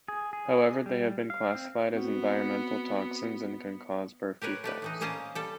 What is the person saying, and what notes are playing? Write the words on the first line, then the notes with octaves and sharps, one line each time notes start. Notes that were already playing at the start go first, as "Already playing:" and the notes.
However, they have been classified as environmental toxins and can cause birth defects.
G#4
G#4
G3
F5
C4
B3 C4 F#4
G4 A#4 B4 C#5
A3 G4 B4
A2 E3 D#4
A#2 A#3 C#4 C5 D#5 A5
G3 A4